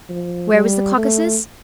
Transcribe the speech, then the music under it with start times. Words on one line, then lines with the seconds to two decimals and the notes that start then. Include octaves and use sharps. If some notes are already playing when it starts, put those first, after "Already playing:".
Where was the Caucasus?
0.09 F3
0.53 G3
0.97 A3